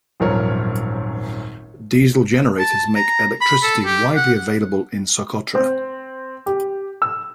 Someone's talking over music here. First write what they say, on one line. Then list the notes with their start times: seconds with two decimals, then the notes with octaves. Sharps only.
Diesel generators make electricity widely available in Socotra.
0.20 D#1 G#1 F#2 F3 A#4 C#5
2.59 A5
2.96 A#5
3.41 B5
3.63 A4
3.86 G4
4.16 F#5
5.55 C4
6.46 G4
7.02 E6